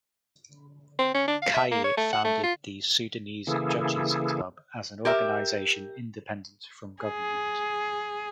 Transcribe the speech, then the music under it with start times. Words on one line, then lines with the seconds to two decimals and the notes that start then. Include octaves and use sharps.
Khair founded the Sudanese Judges Club as an organisation independent from government.
0.99 C4
1.14 C#4
1.28 D4
1.42 F5
1.54 E5
1.71 A#3
1.84 C#5
1.97 A3
2.13 F#5
2.24 A3
2.43 F4
3.47 C#3 E3 A#3 E4 G#4 A4
5.05 G4 A#4 E5
7.03 G#4